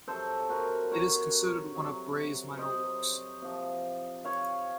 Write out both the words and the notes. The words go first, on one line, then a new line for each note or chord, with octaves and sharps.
It is considered one of Gray's minor works.
C3 F#3 A4 C5
F#4 A#4
A#4 C#5
C3 F#3
C5 D#5
C3 F3
C#5 F5